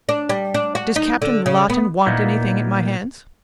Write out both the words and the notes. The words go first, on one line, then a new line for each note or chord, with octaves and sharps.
"Does Captain Lawton want anything at my hands?"
D4
G3
D4
F#4
D#4
D3
C#3
B3
A#2 A#3 B3 D#4 E4